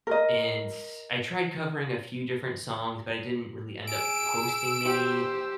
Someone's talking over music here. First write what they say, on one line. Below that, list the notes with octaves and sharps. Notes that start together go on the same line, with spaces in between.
and I tried covering a few different songs, but I didn't really end up posting many.
A#4 D#5
G#4 E6 D7
G4 C5